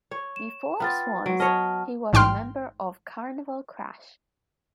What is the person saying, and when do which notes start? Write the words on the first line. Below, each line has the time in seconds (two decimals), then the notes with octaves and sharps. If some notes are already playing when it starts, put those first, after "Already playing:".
Before Swans, he was a member of Carnival Crash.
0.11 C#5
0.36 E7
0.80 B3 F4 G5 A6
1.26 F#3 D7
1.40 C#5 D#5 F#5 A5 F6
2.13 A1 G#2 G5 C6 F6